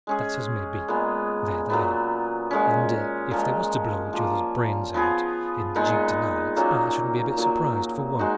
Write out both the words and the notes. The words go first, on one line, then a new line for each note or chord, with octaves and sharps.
That's as may be. There they are; and if they was to blow each other's brains out in the gig to-night, I shouldn't be a bit surprised for one.
G#3 C#4 G#4
A#2 G#3 B3
A#2 F#3 B3
A#2 G#3 C#4
A#2 F3 G#3
F3 A#3 F4
F3 B3 F4 G#4
A#2 G#3 B3 D#4
A#2 F#3 A#3 C#4
A#2 F#3 A#3
G#3 D#4 F#4